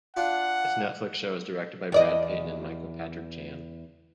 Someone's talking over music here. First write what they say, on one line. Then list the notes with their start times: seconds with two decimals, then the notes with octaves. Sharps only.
This Netflix show was directed by Brad Peyton and Michael Patrick Jann.
0.17 D4 F4 F#5
1.92 E2 D5 D#5